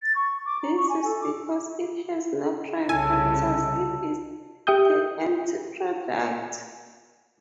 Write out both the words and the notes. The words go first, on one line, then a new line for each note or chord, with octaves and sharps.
This is because it has no prime factors; it is the empty product.
A6
C#6
D6
A#5
C#6
G#5
A4
D6
C2 C#3 A4 G#5
G4 E5 G5 D#6 G6